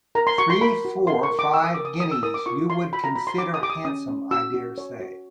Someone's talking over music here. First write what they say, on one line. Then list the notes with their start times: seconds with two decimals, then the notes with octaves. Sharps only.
Three, four, five, guineas, you would consider handsome, I dare say.
0.15 A#4 A#5
0.27 C6
0.38 F#4 C#6
0.50 C6
0.61 A#4 B5
0.85 F#4
1.07 A#4 C6
1.23 C#6
1.31 A#4
1.39 D6
1.53 A#4 E6
1.64 D#6
1.74 A#4 D6
1.85 D#6
2.00 C#5 D#6
2.11 E6
2.23 A#4 D#6
2.34 D6
2.46 F4 C#6
2.69 C#5 C6
2.92 F#4 B5
3.04 A#5
3.16 F#4 B5
3.27 C6
3.38 D4 D6
3.54 D#6
3.61 G4 D6
3.70 D#6
3.85 C#4 D#6
4.08 C#4
4.31 F#4 E6
4.54 F#4
4.78 C#5
5.00 F#4